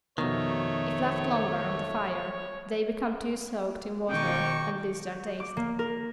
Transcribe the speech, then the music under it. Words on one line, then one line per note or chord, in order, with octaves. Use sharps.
If left longer on the fire they become too soaked in water and lose their taste.
F2 B2 D#3 A3 C#5
B2 D#3 G5 C#6 D6
D6
A#3
A#4